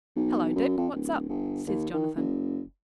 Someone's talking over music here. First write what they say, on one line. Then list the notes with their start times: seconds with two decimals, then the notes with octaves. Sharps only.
'Hello, Dick, what's up?' says Jonathan.
0.16 B1
0.55 F#2
0.77 F2
0.94 D1
1.29 G1
1.67 D#2
1.94 D#3
2.16 F#1